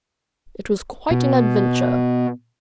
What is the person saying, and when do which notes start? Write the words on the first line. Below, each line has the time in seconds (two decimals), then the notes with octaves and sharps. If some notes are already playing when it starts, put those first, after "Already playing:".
"It was quite an adventure."
1.11 B2